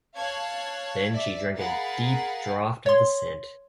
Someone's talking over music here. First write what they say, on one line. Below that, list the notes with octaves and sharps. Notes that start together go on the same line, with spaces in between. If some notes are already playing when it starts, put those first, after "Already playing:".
Then she drank a deep draught of the scent.
C#5 F5 A5 F#6 G#6
D5 E5
G#4 A#4 F5 F#5 B5 A6
C#5 C6